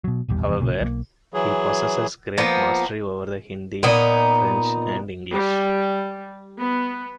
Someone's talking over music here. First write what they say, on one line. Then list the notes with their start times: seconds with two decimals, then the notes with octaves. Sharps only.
However, he possesses great mastery over the Hindi, French and English.
0.04 B2 F#3
0.29 D#1 A1 E2 G3
0.44 F1 E2
0.60 B1 A#2 C#3
0.80 B1 F3 A#3
1.34 E3 F#3 G#4
2.38 F3 A#3 B3
3.83 A#2 B3 D#4
5.32 G3
6.58 B3